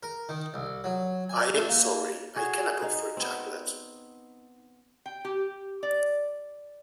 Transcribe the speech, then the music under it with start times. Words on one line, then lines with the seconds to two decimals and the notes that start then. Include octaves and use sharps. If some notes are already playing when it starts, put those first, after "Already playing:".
I am sorry I cannot offer chocolate.
0.03 A#4
0.29 D#3
0.54 C2
0.84 F#3
1.29 G#5
1.56 A3
1.69 A#3
2.36 F#4 G#4
2.82 D#4 C5
3.17 B3 C4
5.06 G5
5.25 G4
5.83 D5